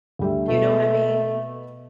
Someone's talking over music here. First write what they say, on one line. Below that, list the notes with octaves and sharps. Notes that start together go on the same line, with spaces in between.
You know what I mean?
D2 G3 E5
B2 A3 B3